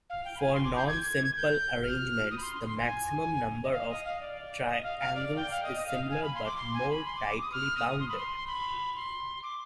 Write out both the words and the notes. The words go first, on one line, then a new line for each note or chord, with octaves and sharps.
For non-simple arrangements the maximum number of triangles is similar but more tightly bounded.
F5
G5
B5
G#5
C6
D6
G6
G#6
G6
F6
D#6
B5
C6
C6
G#5
D#5
F5
D#5
F5
D5
D#5
F5
F5
D5
G5
F5
D#5
D#5
F5
G#5
B5
C6
D6
C6
G#5
B5
C6
D6
D6
D#6
F6
D#6
C6
B5
C6
B5
C6
D6